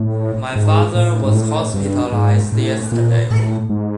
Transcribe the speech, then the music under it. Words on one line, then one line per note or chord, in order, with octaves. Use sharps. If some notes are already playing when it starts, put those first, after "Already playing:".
My father was hospitalized yesterday.
Already playing: A2
G#2
A2
G#2
A2
G2
G#2
A2
A#2
A2
G#2